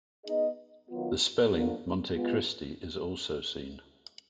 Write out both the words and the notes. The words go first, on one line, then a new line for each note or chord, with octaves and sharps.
The spelling Montecristi is also seen.
B3 D#4 G#4 D#5
D#3 F#3 B3 F4
D3 F3 A#3
G#3 B3 F4